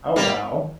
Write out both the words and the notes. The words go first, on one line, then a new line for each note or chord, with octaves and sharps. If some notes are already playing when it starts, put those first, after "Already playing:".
Oh, wow.
G3 A#3